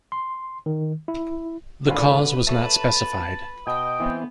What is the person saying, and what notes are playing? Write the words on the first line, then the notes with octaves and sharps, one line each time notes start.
The cause was not specified.
C6
D#3
E4
G#1 D3 C#4 F4 B4 B5
A4 C#5 E5 A5
B2 D#5 G5
E3 B3 C4